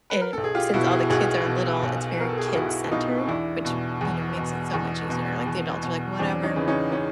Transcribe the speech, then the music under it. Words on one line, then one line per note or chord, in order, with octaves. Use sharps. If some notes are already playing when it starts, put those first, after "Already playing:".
And since all the kids are little, it's very kid-centered, which, you know, makes it so much easier. Like, the adults are like, "Whatever.
B4
A#4
B1 A4
G#4
F4 G4
B2 E4 F#4
F#4 G#4
B1 F#4 G#4
B2
B1
B2 A#4
A4
G#4
G4
B1 E4 F#4
B2 D#4 F4
E2 D4 E4
B2
E2
B2
E2
B2
E2
B2
E2 C4 D4
C#4 D#4
C#3 E3
C#4 D#4
C#4 D#4